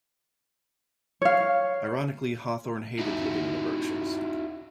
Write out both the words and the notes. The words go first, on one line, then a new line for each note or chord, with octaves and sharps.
Ironically, Hawthorne hated living in the Berkshires.
C#5 F5
D#4 E4 F#4